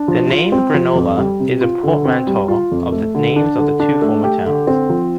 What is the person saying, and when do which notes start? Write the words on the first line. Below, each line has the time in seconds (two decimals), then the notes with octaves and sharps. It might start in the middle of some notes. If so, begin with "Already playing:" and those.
The name Grenola is a portmanteau of the names of the two former towns.
Already playing: D4
0.08 F3
0.30 F4
0.52 C4
0.74 F3
0.95 F2
1.18 G3
1.40 C3
1.61 F4
1.83 D3
2.05 C4
2.27 G3
2.48 F4
2.71 F2
2.92 A3
3.15 D3
3.36 D4
3.58 D3
3.80 D4
4.02 A3
4.24 G4
4.46 D3
4.67 C4
4.90 F3